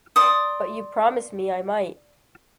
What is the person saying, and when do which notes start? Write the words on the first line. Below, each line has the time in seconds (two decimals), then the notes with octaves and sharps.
But you promised me I might!
0.16 D5 C6 D#6